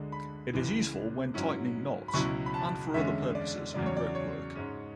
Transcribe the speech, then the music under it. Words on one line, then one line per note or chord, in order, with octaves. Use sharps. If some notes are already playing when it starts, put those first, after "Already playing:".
It is useful when tightening knots and for other purposes in ropework.
Already playing: D2 D3 G#3 D4
B5
C#2 C#3 E3
G#2 F#3 C#4 E4
B5
C#2 B2 F#3 C#4 E4 C#6
B5
A5
E2 D3 G#3 C#4 E5
D5
E2 C#3 F#3 D5
C#5
D5
C#5
G#2 G#3 C#4